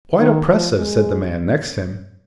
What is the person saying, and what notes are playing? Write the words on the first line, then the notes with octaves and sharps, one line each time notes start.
"Quite oppressive," said the man next him.
D#3
F3
G#3